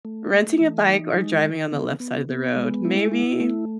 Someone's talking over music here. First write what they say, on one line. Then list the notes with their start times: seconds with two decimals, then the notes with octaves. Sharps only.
renting a bike or driving on the left side of the road, maybe,
0.05 A3
0.33 A3
0.61 E3
0.89 D#4
1.16 G#3
1.44 D#3
1.72 B3
2.00 B3
2.29 B3
2.56 G#3
2.85 E4
3.12 E4
3.40 A3